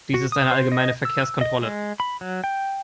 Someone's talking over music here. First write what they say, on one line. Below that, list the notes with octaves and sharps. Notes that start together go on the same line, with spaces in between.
Dies ist eine allgemeine Verkehrskontrolle.
F#4
D#6
C5
D#5
E6
D#5
G#3
B5
F#3
G5